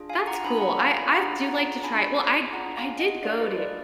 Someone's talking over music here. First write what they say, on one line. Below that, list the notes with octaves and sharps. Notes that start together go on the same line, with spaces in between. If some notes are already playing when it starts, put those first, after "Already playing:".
That's cool, I I've do like to try well, I I did go to
Already playing: D4 F4 G#4
F5 G#5
F#5 A#5
D4 F4 G#4 G#5 B5
F#5 A#5
F5 G#5
G#5 B5
D4 F4 G#4 F#5 A#5
F#5 A#5
D4 F4 G#4 G#5 B5
D4 F4 G#4 F#5 A#5
F5 G#5
D#5 F#5
D4 F4 G#4 D5 F5
B4 D#5
A#4 D5